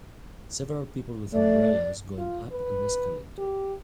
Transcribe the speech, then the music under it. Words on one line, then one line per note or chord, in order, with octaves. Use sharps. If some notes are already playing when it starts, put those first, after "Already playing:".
Several people with umbrellas going up an escalator.
A3 D5
F4
B4
G4